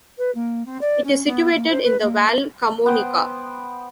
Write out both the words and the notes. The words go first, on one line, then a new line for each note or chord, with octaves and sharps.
It is situated in the Val Camonica.
B4
A#3
C4
D5
C#4
B3
A#3
C5
B4
A#3
B3 C5 G5 D#6